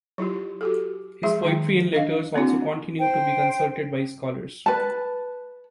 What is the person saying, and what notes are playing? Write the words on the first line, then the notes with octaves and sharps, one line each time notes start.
His poetry and letters also continue to be consulted by scholars.
F#3 E4 F4 G4
F#4 G4 A4
F3 G#3 G#4 E5
D#3 D#4 G5
D4 D#5 F5
A#3 C4 D4 E4 F#4
C5 G5
B4 A5